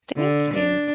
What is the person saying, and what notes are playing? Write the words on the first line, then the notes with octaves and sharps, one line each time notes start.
Thank you.
D3
D4